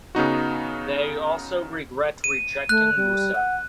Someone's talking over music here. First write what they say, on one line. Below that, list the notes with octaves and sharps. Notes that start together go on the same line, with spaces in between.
They also regret rejecting musa.
C#3 B3 D#4 F#4
D#7
A3 F#6
G3
F#5